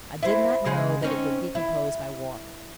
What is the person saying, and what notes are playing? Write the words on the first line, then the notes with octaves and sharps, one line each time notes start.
I did not know that it would decompose by water.
E4 C5
C#3 G#3 D#4
C4 C#4 D#4
E4